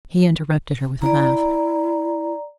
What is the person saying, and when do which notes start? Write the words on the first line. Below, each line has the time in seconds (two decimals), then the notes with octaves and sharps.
He interrupted her with a laugh.
1.02 E4 D5 A#5